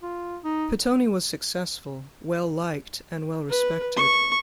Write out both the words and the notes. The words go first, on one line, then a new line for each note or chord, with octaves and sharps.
Pittoni was successful, well liked and well respected.
F4
D#4
B4
C#6